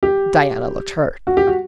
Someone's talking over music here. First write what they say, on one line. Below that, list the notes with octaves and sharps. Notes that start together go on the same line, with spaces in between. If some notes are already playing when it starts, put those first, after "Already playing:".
Diana looked hurt.
G4
F#4
G4
F#4